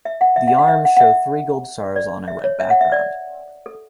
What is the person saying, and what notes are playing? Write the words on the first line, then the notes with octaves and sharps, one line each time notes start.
The arms show three gold stars on a red background.
E5
F#5
E5
F#5
F#5
E5
F#5
F#5
E5
D5
E5
C#5
E5
F#5
E5
D5
A4